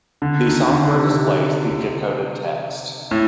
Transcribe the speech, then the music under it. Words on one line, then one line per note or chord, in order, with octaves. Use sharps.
The software displays the decoded text.
D3
D#3
D3
C3
A2